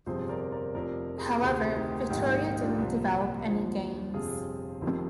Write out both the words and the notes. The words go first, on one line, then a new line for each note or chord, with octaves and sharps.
However Victoria didn't develop any games.
G1 F2 C3 F3 G#4 C5
A#4 D5
A#4 D5
F1 F2 C3 A#4 D5
G#4
A#4
D2 C3 D#3 G#4 C5
D#4 G4
A#1 G#2 D#3 D#4 G4
D#4 G4
D#4 G4
D4 F4
C2 A#2 F3
D#2 D3 F3
G1 F2 C3 F3 F4 G#4
F1 F2 C3 D#3